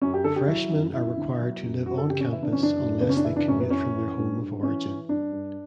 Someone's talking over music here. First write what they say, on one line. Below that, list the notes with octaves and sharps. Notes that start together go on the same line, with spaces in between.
Freshmen are required to live on-campus, unless they commute from their home of origin.
F#2 C#4
G4
D3 A4
G4
F#3 E4
F#2
F#2 E4
D3
F#3
F#2
F#2 F#4
A4
C#3 G4
C#4
E3 E4
D4
F#2 C#4
D4
F#2
C#3 B3
C#4
D4
E3 E4
D4
F#2 C#4
B3
E3 C#4
E3
G2
G2
E3 C#4
E3
G2 D4
G2